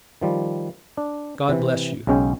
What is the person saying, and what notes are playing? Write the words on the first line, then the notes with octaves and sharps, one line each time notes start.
God bless you!
D#3 F3 G3
D4
C3 E3
B1 C#3 G#3 C#4 G5